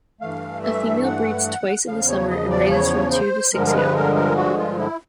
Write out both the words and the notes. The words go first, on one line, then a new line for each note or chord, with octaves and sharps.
A female breeds twice in the summer, and raises from two to six young.
G2 E3 A3 F5
E5
F#5
E2 C#3 F3 F5
C#5
D#5
D5
C#5
C5
G2 D3 F3 G#3 A#4
A#4
B4
A#4
A#4
F#4
F4
E4